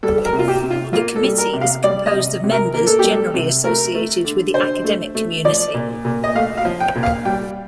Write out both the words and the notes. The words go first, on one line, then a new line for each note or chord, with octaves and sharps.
The Committee is composed of members generally associated with the academic community.
G3 A4
A#4
C3
F4
G4
C3
F4
A#3 F4
A4
G3
A#4
C3
F5
G3 D5
D#5
C3
C3
A#4
A#3 A#4
A4
G3 G4
A4
C3
A3 A#4
A3
D3
D3 C5
A3
A3
F3 D5
A#2
A#2
D#5
A3 F5
F5
F3
G5
A#2
F5
G3 G5